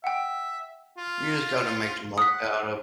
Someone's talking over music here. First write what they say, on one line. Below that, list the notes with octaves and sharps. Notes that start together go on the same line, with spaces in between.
you just gotta make the most out of
E5 F#5 G5
F4
F#5 D#6 B6